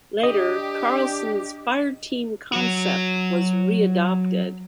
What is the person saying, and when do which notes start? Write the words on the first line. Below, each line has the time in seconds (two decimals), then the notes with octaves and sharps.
Later, Carlson's fireteam concept was re-adopted.
0.23 D4 G4 D#5
2.53 F#3 F#4